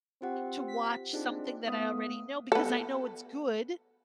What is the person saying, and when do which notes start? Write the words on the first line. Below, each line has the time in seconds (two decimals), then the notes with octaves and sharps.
to watch something that I already know because I know it's good
0.22 C4 F4 G4 F#5
0.68 B6
1.13 C4 D4 D#4 F4 G#4
1.67 A3 B3 F5 D#6
2.52 B3 A4